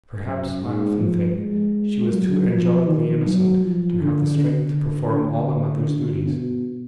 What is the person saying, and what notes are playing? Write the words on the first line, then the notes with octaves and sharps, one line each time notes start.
Perhaps, I often think, she was too angelically innocent to have the strength to perform all a mother's duties.
F#2
G#2
F3
G#3
F#3
F3
D#3
F#3
F3
D3
D3
D3
D3
B2